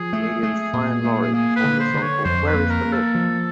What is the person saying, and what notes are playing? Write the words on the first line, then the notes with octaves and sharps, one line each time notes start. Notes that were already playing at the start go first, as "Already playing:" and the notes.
Comedians Fry and Laurie performed a song called "Where is the Lid?".
Already playing: F3 G#4
A3
A3
A#2
A3
A#3 G#4
B4
D3
C5
D3
C#5
F2 C5
B4
A#3
A#4
A#3
A4
F3